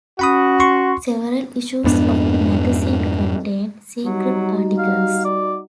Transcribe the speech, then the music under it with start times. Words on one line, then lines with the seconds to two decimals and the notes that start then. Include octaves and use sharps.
Several issues of the magazine contained "secret" articles.
0.19 C#4 F#4 F#5 B5 D#6
0.60 C6 C#6
1.84 F2 G#2 B3 D4
4.06 F#3 G3 D#4 F#4
4.78 F5
5.25 D5